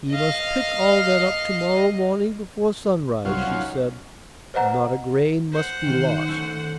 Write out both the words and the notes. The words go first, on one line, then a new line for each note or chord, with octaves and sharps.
'He must pick all that up to-morrow morning before sunrise,' she said; 'not a grain must be lost.'
D#5 F5
C2 F#3 F4 C#5
C#4 D#4
B4 C5 D#5 F#5 A#5
C5 F#5
D#3 G5
A3 C#4 E4